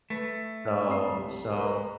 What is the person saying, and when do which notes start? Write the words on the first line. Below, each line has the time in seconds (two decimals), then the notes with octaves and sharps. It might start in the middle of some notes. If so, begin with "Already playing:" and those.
So so
0.10 A3 B4
0.88 C4 D#6 C7
1.14 C2
1.57 A#4 B4